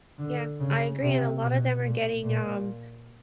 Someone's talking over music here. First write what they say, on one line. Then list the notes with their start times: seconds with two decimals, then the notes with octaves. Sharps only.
Yeah, I agree, and a lotta them are getting, um,
0.19 D3
0.60 C#3
1.01 C3
1.41 B2
1.84 A#2
2.24 A#2